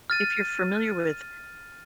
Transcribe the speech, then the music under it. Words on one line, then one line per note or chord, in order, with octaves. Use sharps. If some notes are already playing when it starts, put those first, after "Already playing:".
If you're familiar with
F6 A6 D#7